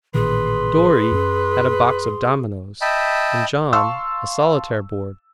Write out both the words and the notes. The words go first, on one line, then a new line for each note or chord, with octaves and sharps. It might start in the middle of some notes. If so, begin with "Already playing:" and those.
Dorry had a box of dominoes, and John a solitaire board.
A1 A#2 D#3 G#4 B4 C6
F#2 B3 C#4
D#5 E5 G5 A5 B5
F5 A5 C6 C#6 E6